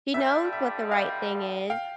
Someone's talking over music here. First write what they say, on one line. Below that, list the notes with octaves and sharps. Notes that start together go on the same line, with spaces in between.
she knows what the right thing is,
G2 D3 G3 E5
E5
D#5 F5
F5 G5